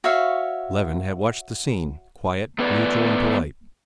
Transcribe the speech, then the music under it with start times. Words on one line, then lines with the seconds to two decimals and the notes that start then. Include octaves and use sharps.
Levin had watched the scene, quiet, neutral, and polite.
0.04 F#4 C#5 E5 F5
2.59 A3 B3 B4 C#5 D5